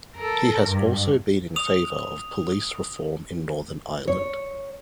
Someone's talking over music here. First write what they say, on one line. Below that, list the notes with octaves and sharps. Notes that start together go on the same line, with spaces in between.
He has also been in favour of police reform in Northern Ireland.
A4 A#4
G2
D#6 F7
C#5